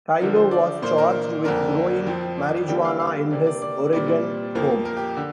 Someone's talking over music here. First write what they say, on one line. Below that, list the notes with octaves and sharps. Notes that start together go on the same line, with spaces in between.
Kyllo was charged with growing marijuana in his Oregon home.
D3 F3 D4 A#4
C5
D5
A#2 A#3 D4 C5
A#4
F2 D3 A#3 D4 A#4
F2 F3 C4
D5
D3 G3 A#3 D4 G5
F5
F5
C3 A#3 D4 D5
D5
D5
A#2 G3 C4 D5
D5
F2 F3 A#3
A#4
G4
D3